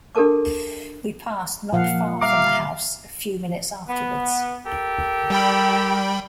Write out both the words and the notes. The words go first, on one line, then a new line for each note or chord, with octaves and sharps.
We passed not far from the house a few minutes afterwards.
D4 G4 A4 A#4 A5 D6
A#2 F3 F5 F#5
G3 E5 F5 A#5 D6
B3
G4 A4 A#4
G3 G5 B5